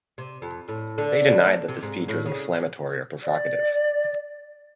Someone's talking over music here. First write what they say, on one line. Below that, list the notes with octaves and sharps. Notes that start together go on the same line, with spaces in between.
They denied that the speech was inflammatory or provocative.
C3
F2
A2
D3
A#3
C3
G#2
A2
C#3
D5